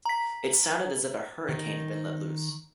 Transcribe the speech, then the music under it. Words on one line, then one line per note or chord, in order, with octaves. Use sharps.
It sounded as if a hurricane had been let loose.
A#5 B6
D#3 D#4